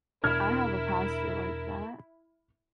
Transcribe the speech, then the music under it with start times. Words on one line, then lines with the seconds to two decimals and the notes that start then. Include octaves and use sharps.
I have a pastor like that.
0.24 E2 B2 D4 E4 A#4 F6 G#6